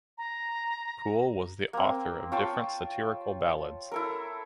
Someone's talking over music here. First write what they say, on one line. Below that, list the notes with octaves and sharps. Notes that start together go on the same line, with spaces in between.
Poole was the author of different satirical ballads.
A#5
A#3 C4
F4 C#5 G5 A5
E4 A4 A#4